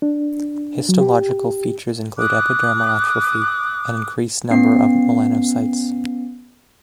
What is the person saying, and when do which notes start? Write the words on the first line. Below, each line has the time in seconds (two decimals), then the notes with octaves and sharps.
Histological features include epidermal atrophy and increased number of melanocytes.
0.02 D4
0.89 F#3
1.01 G4
2.17 D6 D#6 F#6
4.51 B3 C#4 C7